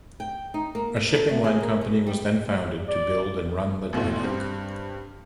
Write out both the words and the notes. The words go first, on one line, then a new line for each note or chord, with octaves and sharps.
A shipping line company was then founded to build and run the dry dock.
G5
D#4
A#3
A2
A4
A3
G#4
A#3
B2
G3
D5
G#1 B2 A3 E4 C6
G2 G3 C4